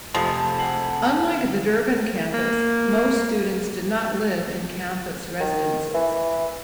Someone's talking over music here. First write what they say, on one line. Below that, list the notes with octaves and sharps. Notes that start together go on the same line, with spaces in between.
Unlike the Durban campus, most students did not live in campus residences.
F2 C3 F3 G#3 A3 A5
G#4 F#5
A#3
D#3
E3